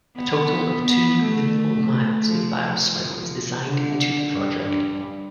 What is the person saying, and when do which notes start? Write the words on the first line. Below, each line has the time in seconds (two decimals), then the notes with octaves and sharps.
A total of two lineal miles of bioswale was designed into the project.
0.17 B3
0.87 B3
1.22 A3
2.25 F3
2.60 F3
3.63 D3
4.33 G2
4.68 G2